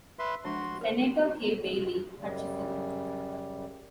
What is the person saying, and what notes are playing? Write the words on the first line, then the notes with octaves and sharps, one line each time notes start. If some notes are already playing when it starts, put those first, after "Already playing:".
Senator Kay Bailey Hutchison.
B4 E5 C6
F3 G#3 D4 F#4 C6
A#4 C5
F#2 C#3 G3